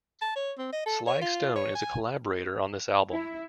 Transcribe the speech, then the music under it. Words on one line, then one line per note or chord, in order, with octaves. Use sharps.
Sly Stone is a collaborator on this album.
A5
C#5
C4
D#5
A4
C#5
F4
C#5
G#5
E4